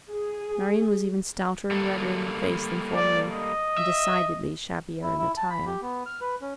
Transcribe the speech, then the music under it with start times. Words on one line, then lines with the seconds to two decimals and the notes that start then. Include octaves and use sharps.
Marian was even stouter and redder in the face than formerly, and decidedly shabbier in attire.
0.10 G#4
1.71 G3 A#3 A4
2.95 D5
3.31 D#5
3.77 E5
5.02 E4
5.18 E4
5.37 A5
5.50 B5
5.66 G4
5.82 B3
6.06 F6
6.21 B4
6.42 C#4